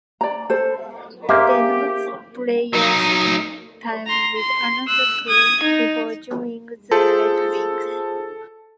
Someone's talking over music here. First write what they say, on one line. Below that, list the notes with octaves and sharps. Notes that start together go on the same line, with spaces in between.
Denotes player spent time with another team before joining the Red Wings.
D5 A#5
A4 C5
A#3 G4 G#4 C5 E5
F#3 D#4
A#5 C6
C6
E6 F#6
D#6 G#6
D#4
F4 G#4 A4 C5